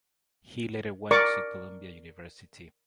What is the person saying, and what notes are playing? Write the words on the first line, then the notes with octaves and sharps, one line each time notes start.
He later went to Columbia University.
A#4 D5 C#6 D6